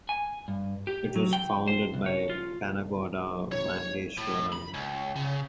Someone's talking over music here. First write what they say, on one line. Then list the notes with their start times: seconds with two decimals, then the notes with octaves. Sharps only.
It was founded by Panagoda Maheswaran.
0.09 G#5
0.48 G2
0.87 G4
1.16 F#3
1.33 G5
1.68 C5
1.94 C2
2.06 C#5
2.30 F4
3.52 C#5
4.17 A2
4.52 B5
4.74 C#2
5.16 C#3